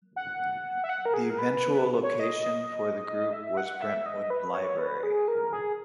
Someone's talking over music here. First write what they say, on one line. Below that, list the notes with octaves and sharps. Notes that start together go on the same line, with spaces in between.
The eventual location for the group was Brentwood Library.
F#5
E5
F#5
A#4
G#4
A#4
B4
C#5
D#5
E5
F#5
E5
D#5
B4
C#5
B4
G#4
A#4
G#4